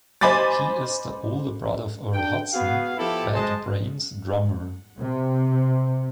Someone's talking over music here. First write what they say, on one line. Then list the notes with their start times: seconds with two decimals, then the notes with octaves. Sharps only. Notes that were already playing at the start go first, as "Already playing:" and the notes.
He is the older brother of Earl Hudson, Bad Brains' drummer.
0.21 C5 D#5 G#5 B5 D6 A6
2.14 D3 G5
2.52 B3 F#4 G#4 F5
2.97 F3 B3 E4 G4 A4
3.34 G#3 G#4 C5 D#5 A5
4.99 C3